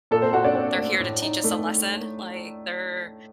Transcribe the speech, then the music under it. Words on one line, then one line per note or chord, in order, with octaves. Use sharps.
they're here to teach us a lesson. Like, they're
A#2 A4
C4 C5
A#2 F#4 F#5
D4 D5
C4
A3
A2
D#4
A3